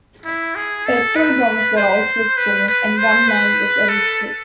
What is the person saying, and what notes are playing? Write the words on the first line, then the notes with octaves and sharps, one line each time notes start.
Petrol bombs were also thrown and one man was arrested.
E4
G#4
A4
B4
C5
B4
B4
C5
B4
A4